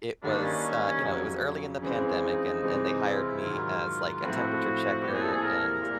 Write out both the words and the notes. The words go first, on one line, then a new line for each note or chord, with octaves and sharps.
it was, uh, you know, it was early in the pandemic, and and they hired me as, like, a temperature checker and,
G2 D#3 G3 A#3 D4 D#4
C#4
F2 C#3 F#3
C#3 E3 G#3 C4
D#4
C3 E3 G#3 C4
E4
F4
E4
G#2 D#3 F#3 F4
A2 F3 A3 C4 E4 F#4
A#2 G3 C4 E4 G4
G#4
A4
G#4
A#4
A#2 G3 A#3